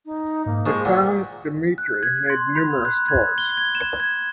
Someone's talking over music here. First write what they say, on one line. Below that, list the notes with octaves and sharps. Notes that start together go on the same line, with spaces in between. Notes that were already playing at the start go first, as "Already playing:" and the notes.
The clown Dimitri made numerous tours.
D#4
G#2 A#3
F3 G#3 C#6
A#2 F#5
F#6
G#6
C6
B5
F#6
G#6
G7
G#6
E7
G#6